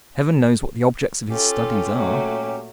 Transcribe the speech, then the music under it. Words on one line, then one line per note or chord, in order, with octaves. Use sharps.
Heaven knows what the objects of his studies are.
C#4 F4 G4 A4
A#2 F#3 A3